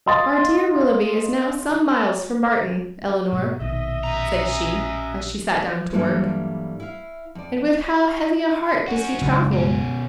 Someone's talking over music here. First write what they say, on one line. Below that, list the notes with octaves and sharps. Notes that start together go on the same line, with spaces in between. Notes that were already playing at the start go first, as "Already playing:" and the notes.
"Our dear Willoughby is now some miles from Barton, Elinor," said she, as she sat down to work, "and with how heavy a heart does he travel?"
D#5 F5 C6 D#6 A6
G#2 B2 G#3
A#1 B2 D#3 D#5 E5
C#4 A#5
G2 E3 F#3 G3 A3 A#3
E4 F5
F2 D5
C#4 F#4
F#1 C#2
B2 C#4